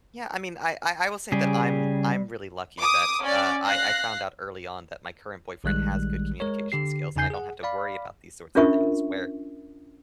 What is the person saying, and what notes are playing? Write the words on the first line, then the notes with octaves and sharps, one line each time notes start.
Yeah, I mean, I I I will say that I'm I'm really lucky that, uh, I I found out early on that my current boyfriend has good communication skills, and I don't have to worry about these sorts of things, where,
C#3 G3 G4 G#4
D6 D#6
C#4 D5
F5 F#6 A#6 C7
A#1 D#3 G3 G#3 F#6
G#3 A#4 C#5
D3 G4 C7
E2 C#3 D#4 G#5 G6 C7
G#4 F#5
D5 F5 B5
C#4 D4 F4 A#4 E5 C#6